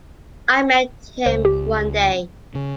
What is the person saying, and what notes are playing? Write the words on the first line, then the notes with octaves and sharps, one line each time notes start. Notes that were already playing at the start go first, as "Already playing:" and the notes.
I met him one day.
C#2 C5
G4
C#3